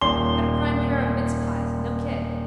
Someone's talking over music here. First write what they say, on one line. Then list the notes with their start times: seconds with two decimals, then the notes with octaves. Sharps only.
Got a prime pair of mincepies, no kid.
0.01 D#1 C6 G7